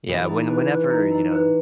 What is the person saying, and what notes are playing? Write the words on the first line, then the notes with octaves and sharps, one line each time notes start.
Yeah, when whenever, you know
E3 G#4
D#4
B4
B4
D#4
D#4
B4